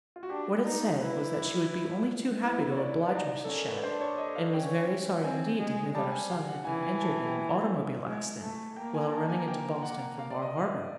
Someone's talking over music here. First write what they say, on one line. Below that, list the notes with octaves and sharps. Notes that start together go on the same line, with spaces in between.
What it said was that she would be only too happy to oblige Mrs. Shadd, and was very sorry indeed to hear that her son had been injured in an automobile accident while running into Boston from Bar Harbor.
F4
F#4
D4 G4
D#4
E4 B4
E4 B4
C#5
D5
D#4 D5
C#4 A4
A#4
B4
D4 C5
C#5
D#5
F5
C#4 G5
C4 G#5
G#3
G3 A5
G5
G#5
F5
F#5
E3 G#5
G#5
G#5
A5
G#5
G5
G#5
G#3
A3
A#3 G5
G#5
A5
G#5
G5
F#5
F5
D5
D#5
F5
E5